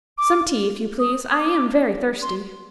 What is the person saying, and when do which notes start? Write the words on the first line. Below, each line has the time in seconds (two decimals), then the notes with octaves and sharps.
"Some tea, if you please, I am very thirsty."
0.18 D6
0.99 D#6
1.31 D#6
1.40 D6
2.22 C6